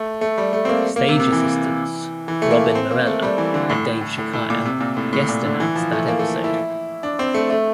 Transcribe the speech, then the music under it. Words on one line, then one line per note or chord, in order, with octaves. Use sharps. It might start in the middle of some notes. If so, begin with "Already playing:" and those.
Stage assistants Robin Marrella and Dave Shikiar guest-announced that episode.
Already playing: A3
A3
G3
A3
C4
A#3
A#3
C3
C3
E3
E3
A3
A#3
C4
A#3
A3
G3
E3
D3
A2
A2
A2
A2
A2
A#2
C3
A#2
A2
A2
A#2
D3
E3
F3
A3
A#3
A3
E4
D4
C4
A3
A3